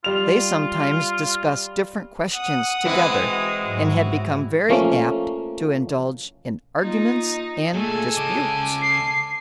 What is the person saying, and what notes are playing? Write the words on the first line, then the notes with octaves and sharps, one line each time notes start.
They sometimes discussed different questions together, and had become very apt to indulge in arguments and disputes.
G3 F4 F7
F#5 D#6
E3 G#3 C4 E4
F#4
G#2 F#3 F#4
F3 A3 A#3 C#4
A#3 D#4 F4
A#2 A3 G#4 A4 G#5
C#3 D#5 D6
C7